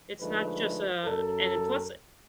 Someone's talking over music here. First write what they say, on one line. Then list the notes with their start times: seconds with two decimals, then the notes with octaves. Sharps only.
It's not just a and then plus
0.20 D3 F3 G#3 A3 D#4 B4
1.04 F#2 A4 A#4